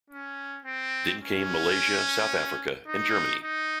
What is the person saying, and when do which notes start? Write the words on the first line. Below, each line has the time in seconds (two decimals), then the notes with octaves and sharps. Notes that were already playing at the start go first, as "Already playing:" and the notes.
Then came Malaysia, South Africa and Germany.
0.10 C#4
0.66 C4
1.22 C#4
2.88 D#4
3.43 D#4